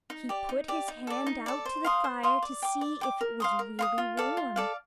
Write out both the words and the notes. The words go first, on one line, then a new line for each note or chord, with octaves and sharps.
He put his hand out to the fire to see if it was really warm.
D#4
G4 D5
D#4
G4 D5
D#4
A4 D5
D#4
A4 D5
C5
F5 C6 D#6
C5
F5 C6 D#6
D5
G5 D6
D5
G5 D6
A#4
F5 C6 D#6
A#4
F5 C6 D#6
F4
A4 D5 F5
F4
A4 D5 F5